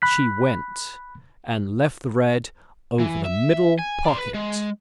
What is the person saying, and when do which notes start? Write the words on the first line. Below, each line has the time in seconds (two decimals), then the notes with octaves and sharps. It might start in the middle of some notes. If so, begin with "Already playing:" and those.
She went, and left the red over the middle pocket.
0.02 B5 F#6 B6
2.99 E3
3.25 E5
3.79 G#5
4.05 D5 C6
4.17 B4
4.34 G#3